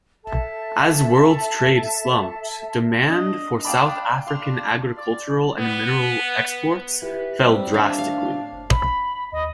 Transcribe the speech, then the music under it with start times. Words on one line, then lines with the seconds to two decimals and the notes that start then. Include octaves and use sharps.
As world trade slumped, demand for South African agricultural and mineral exports fell drastically.
0.25 A4 E5 A5
3.09 D4 D#5
3.65 D4 F5 G5 B5
4.27 D4 F5 C6 F7
4.97 D5
5.58 B3
7.02 E4 G4 B4
7.41 G3 C4
7.73 D4 E5 F5
7.98 A2 F5
8.52 F#1
8.71 B5
9.32 D#2 D#5